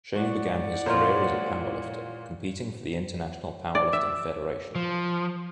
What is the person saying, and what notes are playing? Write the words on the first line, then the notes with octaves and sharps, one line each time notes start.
Shane began his career as a powerlifter, competing for the International Powerlifting Federation.
G#3 E4 F#4 D5 F#5
A#2 F4 A#4 C5 C#5
D5
E5
F3